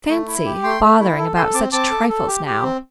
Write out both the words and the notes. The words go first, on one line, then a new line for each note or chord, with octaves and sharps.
Fancy bothering about such trifles now!
A3
E4
G4
A3 G5 C6
A3
E4
A4
A4 G5 C6
C4 A5 D6
C4 A5 D6
A4
A4
G4
G4
C4